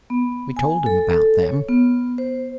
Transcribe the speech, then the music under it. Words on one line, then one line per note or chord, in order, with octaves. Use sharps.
We told him about them.
B3
G#5
A4
C#5
B3
C5